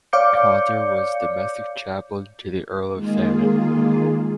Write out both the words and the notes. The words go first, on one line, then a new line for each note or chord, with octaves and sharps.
Caunter was Domestic Chaplain to the Earl of Thanet.
C#5 D5 F5 D6 G6 C#7
D#3 G#3 A#3 F4 G#4